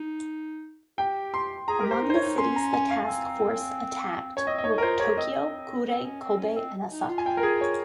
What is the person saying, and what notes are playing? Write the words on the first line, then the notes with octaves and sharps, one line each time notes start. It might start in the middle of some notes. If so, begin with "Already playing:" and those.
Among the cities the task force attacked were Tokyo, Kure, Kobe, and Osaka.
Already playing: D#4
G4 G5
C6
G#4 A#5
A#4
G4
C5
D#4
C5
C#5
D#4
C#4 C6
A#5
G#5
F5
C4
C#4 C#5
C4 D#5
D#5
D#4 C#5
A#4
F4 C5
G4 C#5
C4 D#5
C4
C#4
C4
C#4
C4
D#4
F4
G#5
G5
A#4
G#4
C#5